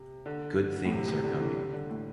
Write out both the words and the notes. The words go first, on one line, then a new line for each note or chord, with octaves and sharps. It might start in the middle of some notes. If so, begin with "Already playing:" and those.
Good things are coming.
Already playing: C3
D3
A2
C3
C3
D3
E3
G3
D3
A2